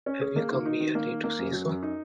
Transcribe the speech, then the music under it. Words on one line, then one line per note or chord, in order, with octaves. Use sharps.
Have you come merely to say so?
C#4
G#4
A#3
D#3
D#4
D#3
A#3
D#3
A#3
F#2
F#3
F#2
D#4